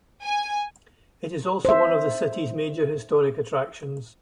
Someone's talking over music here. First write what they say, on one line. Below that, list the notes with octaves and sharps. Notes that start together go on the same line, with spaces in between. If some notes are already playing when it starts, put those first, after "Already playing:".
It is also one of the city's major historic attractions.
G#5
C5 E5